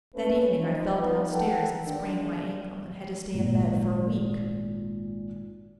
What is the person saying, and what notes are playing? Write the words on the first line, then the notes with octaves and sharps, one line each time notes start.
That evening I fell downstairs and sprained my ankle and had to stay in bed for a week.
A3 C#4 B4
F3 D#4
B3 C4 D#4 B4
A4 A#4 F#5 G5
D#3 F3 G#3 D4
G#1 A#2